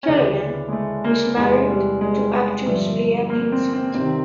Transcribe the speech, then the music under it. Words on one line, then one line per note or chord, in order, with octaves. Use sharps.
Keleghan is married to actress Leah Pinsent.
C#4
D2 C#3 E3 D4
G#3
A3
A#3
E2 C3 E3 G#3
G3
G#3
G2 D3 F3 A3
A#3
C4
C4
C2 C3 D#3 C4